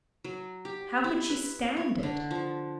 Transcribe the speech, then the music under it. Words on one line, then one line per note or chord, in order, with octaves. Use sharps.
How could she stand it?
F#3
G4
E4
B4
C#5
D3
F3